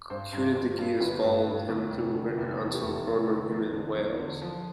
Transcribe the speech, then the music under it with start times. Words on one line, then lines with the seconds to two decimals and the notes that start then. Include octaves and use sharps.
Cunedagius followed him throughout Britain until cornering him in Wales.
0.10 G2 C5
0.33 G2
0.56 G1
0.78 G2
1.01 G1 B4
1.24 G2
1.47 G2
1.69 G1
1.91 F1
2.14 D3
2.37 F1
2.60 E2
2.73 G4
2.83 F1 A4
3.05 F1
3.28 D3
3.51 E2
3.73 D3
3.96 E2
4.19 D3
4.42 F3